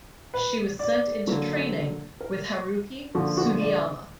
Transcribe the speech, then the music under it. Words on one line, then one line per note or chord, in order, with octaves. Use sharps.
She was sent into training with Haruki Sugiyama.
B4
D5
D3 F#3 A#3
A#4
D3 F3 A#3 F#4
F#4
D5